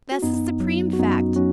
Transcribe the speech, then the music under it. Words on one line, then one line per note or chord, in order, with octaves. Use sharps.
That's the supreme fact.
F#4
F#2 B3 D#4
F#3
F#4
F#2 B3 D#4
F#3 C#4 F#4